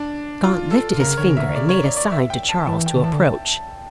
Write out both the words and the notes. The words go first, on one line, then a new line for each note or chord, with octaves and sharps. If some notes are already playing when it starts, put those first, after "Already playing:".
Gaunt lifted his finger, and made a sign to Charles to approach.
Already playing: D4
F4
A4
C#3 A#4
D3 C#5
C#3
D3 E5
C#3 D5
C#5
D5
D5
E5
G5
A5
E3 A5
G5
D3
E3 A5
D3